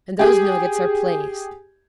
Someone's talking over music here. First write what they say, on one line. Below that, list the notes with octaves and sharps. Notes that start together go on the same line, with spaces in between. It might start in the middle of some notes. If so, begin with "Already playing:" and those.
And those nuggets are plays.
G4 G#4